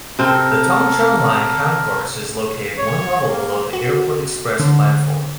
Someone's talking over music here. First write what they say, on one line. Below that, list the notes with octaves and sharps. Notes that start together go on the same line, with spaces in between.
The Tung Chung Line concourse is located one level below the Airport Express platform.
C3 C4 A4 A#4
C#5
A#3
F#4
D3